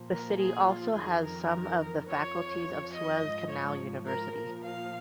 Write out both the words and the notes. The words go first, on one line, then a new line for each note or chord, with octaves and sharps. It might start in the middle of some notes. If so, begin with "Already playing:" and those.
The city also has some of the faculties of Suez Canal University.
Already playing: A#2 F3
A#4
G#4
F4
F2 D#3 G#4
A#4
F2 F3 C#5
D#5
G#2 F3
C#5
A#4
A#2 F3 A#4
F5